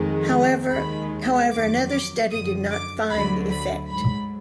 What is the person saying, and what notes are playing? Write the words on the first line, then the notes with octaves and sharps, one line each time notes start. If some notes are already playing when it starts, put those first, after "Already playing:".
However, another study did not find the effect.
Already playing: F2 D#3 G#3
D#2 D#3 G#3 B5
F2 D#3 F#3 D6
D6
F#2 D3 F3 D#6
D6
D2 D3 F#3 B5
B5
G#2 F#3 B5